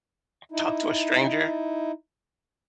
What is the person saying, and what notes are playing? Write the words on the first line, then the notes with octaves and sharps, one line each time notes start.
talk to a stranger?
D#4 E4